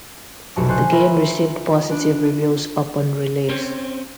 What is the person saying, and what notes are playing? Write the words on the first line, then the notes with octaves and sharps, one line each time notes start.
The game received positive reviews upon release.
F1 B1 B2 A5 C#6
D3 C5 G#5 C#6 F#6
F4 A#4 B4 E5 A#5 B5
B3 D4
C4 C#4